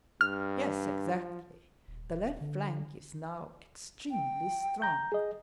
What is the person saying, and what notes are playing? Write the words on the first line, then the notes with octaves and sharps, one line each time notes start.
"Yes, exactly; the left flank is now extremely strong."
G2 F6
F3
D#1
D3
G5
A#5 G6
G#4 D#5